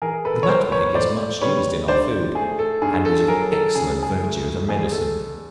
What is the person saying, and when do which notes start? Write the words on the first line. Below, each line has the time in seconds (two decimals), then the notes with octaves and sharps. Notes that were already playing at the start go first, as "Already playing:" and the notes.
The nutmeg is much used in our food, and is of excellent virtue as a medicine.
0.02 E3 G#4 A#4
0.25 A4 B4
0.43 C#5
0.48 B3 A#4 C5
0.72 B4 C#5
0.95 A2 C5 D5
1.42 G3 B4 C#5
1.88 D3 C5 D5
2.35 A3 G#4
2.59 A4
2.82 G2 G#4
3.05 A4
3.28 F#3 G#4 A#4
3.52 A4
3.75 C#3 G#4
4.03 G#4
4.22 A3
4.68 E2 G#4
4.92 A4